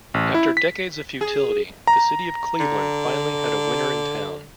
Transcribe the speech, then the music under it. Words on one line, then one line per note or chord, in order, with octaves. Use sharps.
After decades of futility, the city of Cleveland finally had a winner in town.
A1
E4
B6
G#4
A#5
D3